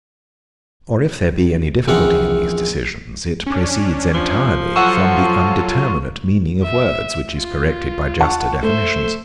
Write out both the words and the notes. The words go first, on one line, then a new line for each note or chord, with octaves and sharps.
Or if there be any difficulty in these decisions, it proceeds entirely from the undeterminate meaning of words, which is corrected by juster definitions.
A#1 E2 C4 C#4 C5 F#5
C#4 D4
F3
F#3 F4 A4 F#5 C#6
E5
F4
F#5 A5 C#6
A3 C5 E5